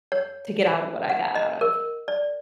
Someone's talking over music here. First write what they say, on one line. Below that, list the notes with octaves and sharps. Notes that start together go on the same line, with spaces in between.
to get outta what I got out of,
C#5
F#5
D#5
A#4
D5